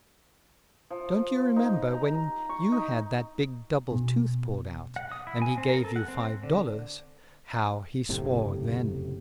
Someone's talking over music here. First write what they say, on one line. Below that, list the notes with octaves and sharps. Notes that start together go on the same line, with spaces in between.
Don't you remember when you had that big double tooth pulled out, and he gave you five dollars, how he swore then?
F3
D#4
A#5
A#5
C#6
D#4
B2
F#5
D#6
E4
G#5
C4
A#4
A4
F#5
C4
D3
F#1 A2 C3